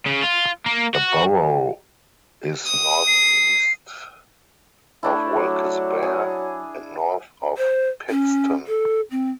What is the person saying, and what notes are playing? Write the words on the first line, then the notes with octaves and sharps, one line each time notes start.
The borough is northeast of Wilkes-Barre and north of Pittston.
C#3
F4
A#3
F#4
D#6
C7
A3 D4 E4
F#3
G#4
C5
C#4
A4
C4